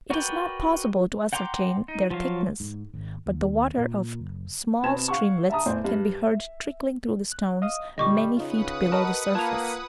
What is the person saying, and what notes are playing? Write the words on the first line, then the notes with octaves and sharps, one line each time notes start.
It is not possible to ascertain their thickness, but the water of small streamlets can be heard trickling through the stones many feet below the surface.
F#4 A#4 B4 D5 G5
F#5 G5 A#5 C6 D6
D#4
F3 F#3 F5
G#2
G#1
D#2
A#2
F#1
B2 B3 C4 A5 G#6 E7
F5 F#5 C#6
E5 A5 A#5 D#6
E2 A2 A3 C5 D5
G2
E5
F#6
D#5 F5 D#6
A#2 D3 G3 D#5 C#6 D6
C#3 D#4 F4 B4 F#5 D#6
F#4 A#4 D#5 A5
A#3 F4 A5 G#6 F7